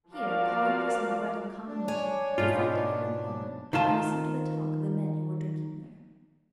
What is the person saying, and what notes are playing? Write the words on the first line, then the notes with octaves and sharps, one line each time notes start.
Here, calling for some bread and common wine, they sat down in a corner, and listened to the talk of the men who were drinking there.
F3 F#4 A#4 D5 F5
D4
C#5 G#5
G#2 B2 D#4 F4
D#3 F4 A5